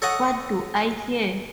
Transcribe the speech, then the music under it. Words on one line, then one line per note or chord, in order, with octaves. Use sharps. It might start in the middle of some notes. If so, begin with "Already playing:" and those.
What do I hear?
A4 C#5 D#5 F#5